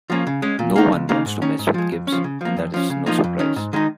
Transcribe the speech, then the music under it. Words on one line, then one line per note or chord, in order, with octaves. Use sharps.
No one wants to mess with Gibbs, and that is no surprise.
F3 A#3 C#4
C#3
G#3 C#4
A#2
A#3 D#4
C#2
C#3 A#3 D#4
G#2
D#3 C#4
G#2
F3 G#3
F2
C#4
F3
C#3
F3 A#3
F2
F3 C#4
C#3
F3 A#3 D#4
F2
D#3 C#4
G#2
D#3 G#3 D#4